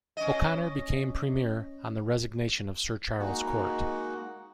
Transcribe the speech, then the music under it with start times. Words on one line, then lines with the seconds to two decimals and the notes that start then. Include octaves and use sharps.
O'Connor became Premier on the resignation of Sir Charles Court.
0.17 C#4 D#5
3.20 G#3 A#3 D#4 F#4 F#5